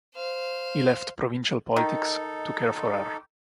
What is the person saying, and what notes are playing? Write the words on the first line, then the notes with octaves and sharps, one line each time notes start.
He left provincial politics to care for her.
C5 F5
D#3 D#4 A4